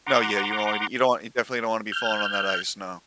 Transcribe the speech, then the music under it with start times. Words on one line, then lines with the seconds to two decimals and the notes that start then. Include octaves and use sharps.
No, yeah, you don't wanna be you don't you definitely don't wanna be falling on that ice, no.
0.07 F#5 A#5 C6 D6
1.92 F6 G6